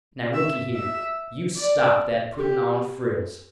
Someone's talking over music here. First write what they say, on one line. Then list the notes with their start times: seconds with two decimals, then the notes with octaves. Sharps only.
Now looky here; you stop that putting on frills.
0.34 E5
0.74 E5
1.56 D5
2.39 G4